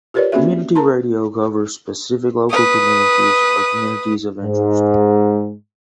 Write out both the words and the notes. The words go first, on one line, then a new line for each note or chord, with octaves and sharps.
Community Radio covers specific local communities or communities of interest.
F4 G4 A#4 B4 C#5 D5
A#3 C4 C#4 F#4 G#4 E5
A#4 A5 A#5 C6
B4 D#6
G#2